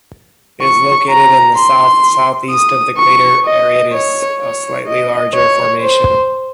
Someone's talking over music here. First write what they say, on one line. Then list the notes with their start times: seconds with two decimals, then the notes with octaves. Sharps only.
It is located to the south-southeast of the crater Aratus, a slightly larger formation.
0.62 C#6
1.09 A#5
1.57 C6
2.51 D#6
2.98 C#6
3.45 D#5
3.93 C#5
4.40 C#5
4.88 D#5
5.35 C#5
5.82 C5